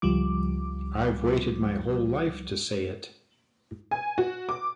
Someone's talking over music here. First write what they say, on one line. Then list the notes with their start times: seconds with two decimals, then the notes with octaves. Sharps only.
I've waited my whole life to say it!
0.02 C#2 F3 G3 D6
3.91 G#5
4.18 F#4
4.49 D6